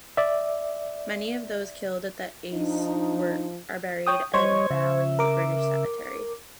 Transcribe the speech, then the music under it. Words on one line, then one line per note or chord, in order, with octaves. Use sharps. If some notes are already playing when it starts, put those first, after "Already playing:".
Many of those killed at the Aisne are buried at Vailly British Cemetery.
D5 E5
F3 D4 D#4
C#5 G5 D#6
G3 C5 C#5 D#5 C#6 G#6
C#3 E5
A#4 D6